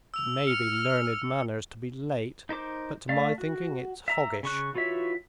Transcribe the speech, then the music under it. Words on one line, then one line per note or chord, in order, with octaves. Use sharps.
"It may be learned manners to be late, but to my thinking it's hoggish."
E6 F7
F6 C#7
D#4 A#4 C5 D6
A3 A4 D5 F5
F#4
E5 A#5 E6
C#3 C#6 F#6
E3 F4 F#4 C#5 E5